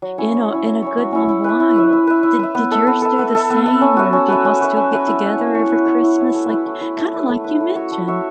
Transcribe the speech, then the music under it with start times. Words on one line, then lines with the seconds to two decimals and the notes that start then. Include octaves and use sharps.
in a in a good long while. Did did yours do the same or do y'all still get together every Christmas? Like, kinda like you mentioned.
0.02 F#3
0.18 C#4 E4 C#5
0.34 F#3
0.50 C#4 E4 C#5
0.66 F#3
0.82 C#4 E4 C#5
0.98 F#3
1.13 C#4 E4 C#5
1.29 E4
1.44 B4 E5
1.60 E4
1.76 B4 E5
1.93 E4
2.07 B4 E5
2.23 E4
2.39 B4 E5
2.55 B3
2.71 A4 E5
2.87 B3
3.02 A4 E5
3.19 B3
3.35 A4 E5
3.50 B3
3.66 A4 E5
3.81 C#4
3.97 F#4 B4 E5
4.13 C#4
4.28 F#4 B4 E5
4.45 C#4
4.60 F#4 B4 E5
4.77 C#4
4.92 F#4 B4 E5
5.07 E4
5.24 C#5 E5
5.39 E4
5.54 C#5 E5
5.71 E4
5.86 C#5 E5
6.03 E4
6.18 C#5 E5
6.35 A3
6.49 E4 B4
6.66 A3
6.81 E4 B4
6.96 A3
7.13 E4 B4
7.29 A3
7.44 E4 B4
7.60 A3
7.75 F#4 C#5 E5
7.92 A3
8.08 F#4 C#5 E5